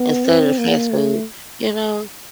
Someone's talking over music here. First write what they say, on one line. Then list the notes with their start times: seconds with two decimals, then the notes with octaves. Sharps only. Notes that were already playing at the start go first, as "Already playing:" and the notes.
instead of fast food, you know?
Already playing: B3
0.25 C4
0.58 A#3
0.90 A3